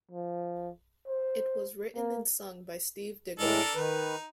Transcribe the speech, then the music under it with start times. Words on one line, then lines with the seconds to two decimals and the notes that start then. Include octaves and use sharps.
It was written and sung by Steve Diggle.
0.11 F3
1.08 C5
1.95 A#3
3.39 A2 G#3 D4 A4 A#4
3.75 D#3 D#4 B4